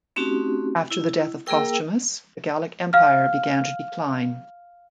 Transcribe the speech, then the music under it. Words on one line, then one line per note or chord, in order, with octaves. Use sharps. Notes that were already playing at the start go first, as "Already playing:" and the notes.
After the death of Postumus, the Gallic Empire began to decline.
A3 C4 C#4 D#4 F#4 G4
E4
A#3 G#4 A#4 G5 E6
F5 F6